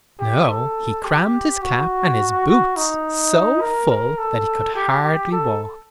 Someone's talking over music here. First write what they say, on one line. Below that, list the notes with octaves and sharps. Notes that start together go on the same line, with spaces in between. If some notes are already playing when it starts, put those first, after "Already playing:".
No, he crammed his cap and his boots so full that he could hardly walk.
G4
A4
G4
F#4
F#4
D#4
A#4
A#4
A4
G4
G4
A4